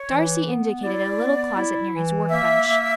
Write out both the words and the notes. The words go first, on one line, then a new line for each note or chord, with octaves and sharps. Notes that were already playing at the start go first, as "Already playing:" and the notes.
Darcy indicated a little closet near his work bench.
Already playing: C#5
E3
B3
E4 D5
B3
E4
E3
A#3 E5
A#3